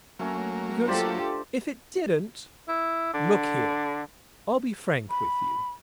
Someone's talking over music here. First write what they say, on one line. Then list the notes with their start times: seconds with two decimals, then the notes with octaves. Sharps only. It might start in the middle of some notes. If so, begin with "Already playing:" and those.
Because if it didn't---- Look here, I'll be frank with you.
0.19 F#3 A3 A#3 C#4
0.86 D4 F4 G4 A4 C5 D5
2.69 E4
3.14 D3
5.10 B5